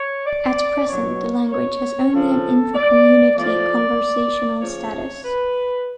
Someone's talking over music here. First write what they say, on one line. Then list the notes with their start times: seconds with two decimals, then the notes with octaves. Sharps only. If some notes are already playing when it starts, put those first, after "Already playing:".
At present the language has only an intra community conversational status.
Already playing: C#5
0.26 D5
0.88 B2 F#3 C#5
1.51 C#5
2.13 C#3 F3 A4
2.75 D5
3.36 A2 F3 D5
4.61 C#3 F3 C#5
5.24 B4